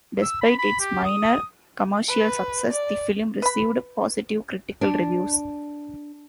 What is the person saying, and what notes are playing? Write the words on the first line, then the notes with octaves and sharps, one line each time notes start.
Despite its minor commercial success, the film received positive critical reviews.
E6
B5
B5
G4
D#6
B4
D5
B4 B5
D4